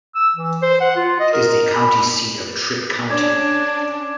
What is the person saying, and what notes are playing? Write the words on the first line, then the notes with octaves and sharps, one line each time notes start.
It is the county seat of Tripp County.
E6
E3
C5
F#5
F4
D#5
A#4
B5
C#4 D4 G#4 D5 D6 G#6